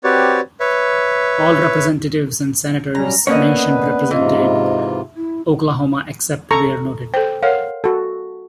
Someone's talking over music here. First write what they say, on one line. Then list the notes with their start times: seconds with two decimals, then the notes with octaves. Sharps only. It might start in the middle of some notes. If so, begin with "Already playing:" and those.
All representatives and senators mentioned represented Oklahoma except where noted.
0.04 C4 F#4 G4 B4 C#5 D5
0.60 B4 C#5 E5
2.95 F#3 G3 C#4 A#5
3.27 D3 A#3 B3 C#4 B4 C#5 D#5
4.11 G#2 C3 E3 F4 D#5
5.15 E4
6.51 A4 A#5 C#6
7.14 A4 C5 G5
7.43 A#4 C#5 F5 F#5
7.84 F#4 A4